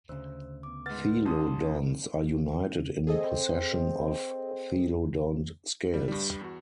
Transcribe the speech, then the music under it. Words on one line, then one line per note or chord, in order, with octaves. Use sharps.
Thelodonts are united in possession of "thelodont scales".
D2 C#3 C5 E6
B3 D6
G#2 B4 F#5 F6 A6
A1 C#4 A5 C6 D#6
C4 G#4 A4 D#5
G3
G2 G3
E2 F#4